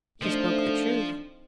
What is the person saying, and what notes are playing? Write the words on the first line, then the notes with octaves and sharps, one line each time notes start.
She spoke the truth.
F3 A3 C4 D4 D#4